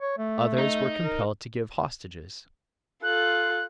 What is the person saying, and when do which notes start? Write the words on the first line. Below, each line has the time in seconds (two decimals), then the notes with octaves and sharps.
Others were compelled to give hostages.
0.01 C#5
0.18 A3
0.58 D#4
1.02 A#4
3.03 F4 A4 F#6